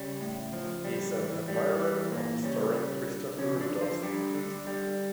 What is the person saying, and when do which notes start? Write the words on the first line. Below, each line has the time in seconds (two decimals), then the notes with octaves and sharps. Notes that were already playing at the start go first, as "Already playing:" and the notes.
He is an admirer of historian Christopher Dawson.
Already playing: C#3 G3 C#4
0.21 A2
0.53 F3
0.84 G3
1.16 E3
1.48 G3
1.80 E3
2.12 A#2 A#3
2.43 C#3 G3 C#4
2.75 G3
3.08 D3
3.38 C#3 F3 C#4
3.60 D3 D4
3.71 D3
3.81 F3 F4
4.02 D3 G3 D4
4.35 D3
4.67 G3